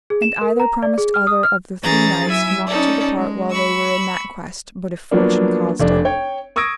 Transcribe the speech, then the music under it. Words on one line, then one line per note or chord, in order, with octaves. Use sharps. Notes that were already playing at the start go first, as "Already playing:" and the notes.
And either promised other of the three knights not to depart while they were in that quest, but if fortune caused it.
G#4
E7
A#4
A#5
D5
G#4
F6
D#6
F6
E3 C#4 G#4 A#5 A6
F#3 E4 E5 G#5
C#4 D#4 A4 D5
G#3
B5 C#6 E6
F3 F#3 A#3 B3 D4
F1 F2 D4
C#5 G5
C#6 D#6 E6 G#6 A#6 D7